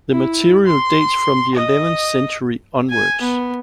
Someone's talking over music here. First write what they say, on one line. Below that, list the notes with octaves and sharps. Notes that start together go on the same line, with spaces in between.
The material dates from the eleventh century onwards.
E4
C6
D#5
G#5
B3